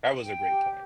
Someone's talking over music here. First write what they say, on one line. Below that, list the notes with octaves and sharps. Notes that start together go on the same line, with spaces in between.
that was a great point.
G5
G4